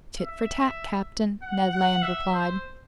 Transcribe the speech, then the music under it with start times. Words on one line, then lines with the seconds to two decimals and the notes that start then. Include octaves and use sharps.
"Tit for tat, captain," Ned Land replied.
0.20 E5
1.42 F#5
1.73 F#5
2.02 E5
2.33 C5